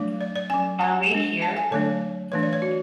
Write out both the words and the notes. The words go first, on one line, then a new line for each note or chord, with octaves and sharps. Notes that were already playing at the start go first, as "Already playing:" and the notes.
Are We Here?
Already playing: F#3 A3 D4
D5
D5
F#3 C#4 G#5
G#5
G#3 D4
A5
G#5
D3 F#3 A3 D4 C#5
E3 A3 D4 C#5
D5
C#5
F#4